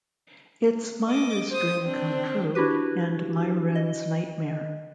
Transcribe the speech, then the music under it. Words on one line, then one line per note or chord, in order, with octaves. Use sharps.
It's Myra's dream come true, and Myron's nightmare.
D#5 D6
C5 D#6
C4 D4
D4 E4 F#4 G4 B4
D#5